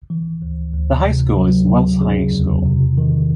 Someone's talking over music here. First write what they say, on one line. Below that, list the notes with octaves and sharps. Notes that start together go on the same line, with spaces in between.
The high school is Wells High School.
E3
D2
D2
C3
F#3
C#3
C#3
E2
C3
D#3